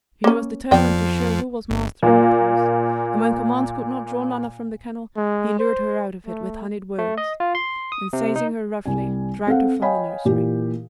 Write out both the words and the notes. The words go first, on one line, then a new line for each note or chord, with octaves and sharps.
He was determined to show who was master in that house, and when commands would not draw Nana from the kennel, he lured her out of it with honeyed words, and seizing her roughly, dragged her from the nursery.
A#3 C#4
F2 F3 B3 D5 G5
G1
A#2 A#3
G#3
C5
A3
A3
D#5
F4
C6
D#6
C3
D#4
C2 G3 G#5
C4 A4 F5 F#5
C#5 D#5 F5 G5 G#5 B5
A#2 E3 G4